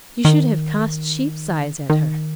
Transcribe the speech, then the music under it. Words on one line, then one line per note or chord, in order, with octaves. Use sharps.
You should have cast sheep's eyes at her.'
D#3
D#3